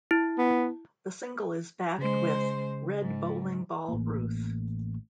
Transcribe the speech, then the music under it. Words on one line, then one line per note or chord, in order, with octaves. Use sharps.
The single is backed with "Red Bowling Ball Ruth".
E4
B3
C#3 G#3 C5
G#2
A1 A#3